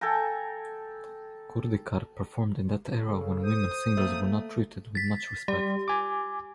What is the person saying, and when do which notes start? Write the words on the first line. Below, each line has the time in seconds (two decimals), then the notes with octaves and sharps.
Kurdikar performed in that era when women singers were not treated with much respect.
0.01 A4 G5 G#5 A#5
2.98 C#3 A4
3.43 C5 D#6
3.97 A3 A#3
4.95 A6 B6
5.48 G3 G4
5.88 G#5 D6